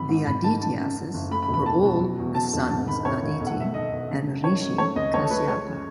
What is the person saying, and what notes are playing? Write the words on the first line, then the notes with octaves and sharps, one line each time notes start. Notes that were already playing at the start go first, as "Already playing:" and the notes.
The Adityas's were all the sons of Aditi and Rishi Kashyapa.
Already playing: G#1 B5
G#2
G#1 B5
D#3 A5
C#3 A5
F#2
F#2
F#1
A3 B5
B5
E1
B5
E1 A5
B2
F#3
E2
F#3 A5
E1
G#2 A5
D#3 B5
A1 C#5
D#3
B1
F#5
B1 E5
B1 D#5
B1
F#2
F#2
D#3 C#5
F#2
A3 C#5
C#2 D#5
C#2 C#5
A4
A3 B4
G#3 C#5
F#2